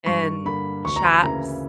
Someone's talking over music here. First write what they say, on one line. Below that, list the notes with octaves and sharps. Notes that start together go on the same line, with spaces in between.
And shops
G2 C#6
D3 A#3 B5
D2 C#6
A#5
B5
C#3 E3 A#3 E4 A#5